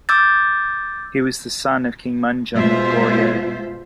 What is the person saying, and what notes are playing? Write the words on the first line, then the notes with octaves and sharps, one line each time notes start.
He was the son of King Munjong of Goryeo.
D6 E6 G6 A6
B2 G#3 F4 C5 E5